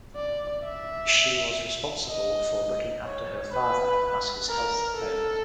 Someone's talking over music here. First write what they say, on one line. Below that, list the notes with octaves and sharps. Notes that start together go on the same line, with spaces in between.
She was responsible for looking after her father as his health failed.
D5
E5
D#5
C#5
B4
A#4
A4